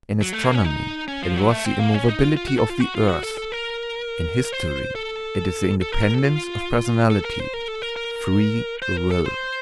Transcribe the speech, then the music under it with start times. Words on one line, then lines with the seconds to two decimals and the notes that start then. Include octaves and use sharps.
In astronomy it was the immovability of the earth, in history it is the independence of personality--free will.
0.22 F#3
0.33 A3
0.43 A#3
0.54 C#4
0.65 D#4
1.08 C#4
1.22 F3
1.36 F#3
1.51 A3
1.65 C4
1.79 A#3
1.94 C#4
2.09 D#4
2.23 F4
2.37 F4
2.48 F#4
2.59 A4
2.70 F4
2.80 F#4
2.95 F4
3.09 F#4
3.23 A4
3.38 A4
3.52 A#4
4.45 A#4
4.53 C5
4.95 A4
5.82 A4
5.92 A#4
6.03 A#4
6.14 A4
6.24 F4
7.10 A4
7.25 A#4
7.40 C5
7.54 A#4
7.68 A4
7.82 A#4
7.96 A#4
8.82 C5
8.97 A#4
9.11 A4
9.26 C5